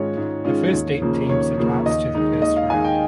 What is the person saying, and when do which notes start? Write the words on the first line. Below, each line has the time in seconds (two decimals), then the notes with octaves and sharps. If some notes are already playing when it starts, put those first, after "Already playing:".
The first eight teams advanced to the first round.
Already playing: G#2 D#3 G#3 C#4 F4 C#5
0.17 G#2
0.45 D#3 G#3 C#4 F4
0.73 D#2
1.02 C#3 F3 A#3
1.29 D#2 C#5
1.57 C#3 F3 A#3
1.86 D#2 D#5
2.15 D#3 G#3 D#4
2.42 D#2 D#5
2.56 F5
2.70 D#3 G#3 D#4 G#5
2.84 G5